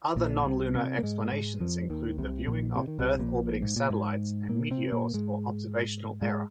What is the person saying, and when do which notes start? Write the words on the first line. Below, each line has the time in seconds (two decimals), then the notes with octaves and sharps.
Other non-lunar explanations include the viewing of Earth-orbiting satellites and meteors or observational error.
0.16 A#1 A#2
0.45 C2 C3
0.75 C3 C4
0.99 A#3
1.03 G#2 G#3
1.32 G#2 G#3
1.60 F2 F3
1.90 D#2 D#3
2.18 C2 C3
2.47 A#1 A#2
2.76 C3
2.88 D#3
2.99 C2 C3
3.19 A#1 A#2
3.62 G#2
3.76 A#2
3.90 G#2
4.49 A#2 A#3
4.71 C3 C4
4.92 A#2 A#3
5.14 G#2 G#3
6.21 G#2 G#3